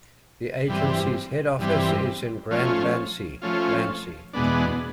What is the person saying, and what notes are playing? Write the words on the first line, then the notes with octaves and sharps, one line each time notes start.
The agency's head office is in Grand-Lancy, Lancy.
G2 E3 G3 C4
G2 E3 G3 C4
F3 A3 C#4 F4
F3 A3 C#4 F4
E2 B2 G#3 B3 D4